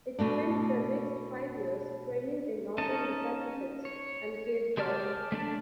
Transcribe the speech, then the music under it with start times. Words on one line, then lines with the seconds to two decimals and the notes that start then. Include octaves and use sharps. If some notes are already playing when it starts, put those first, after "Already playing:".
It spent the next five years training in northern Massachusetts and Cape Cod.
0.19 B2 A3 D4
2.78 C#4 D#4 D#5 A5
3.85 C#5
4.77 G#3 G4 D5 A5 F6
5.32 A3 D4 A5